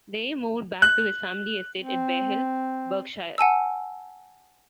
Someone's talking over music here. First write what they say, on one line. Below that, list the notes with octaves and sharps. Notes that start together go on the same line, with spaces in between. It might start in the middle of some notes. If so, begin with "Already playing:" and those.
Day moved back to his family estate at Barehill, Berkshire.
F#6
C4
F#5 G#5 A5 E6